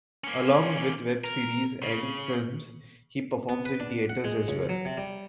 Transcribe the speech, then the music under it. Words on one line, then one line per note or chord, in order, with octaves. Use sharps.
Along with web series and films he performs in theaters as well.
A#3 C#4
A#4
C#3
B3
B4
D4
F#5
G#3
C#2
F#3
C3
G3